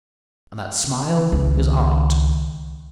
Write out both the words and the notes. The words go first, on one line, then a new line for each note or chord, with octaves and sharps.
And that smile is art.
C#2 D#3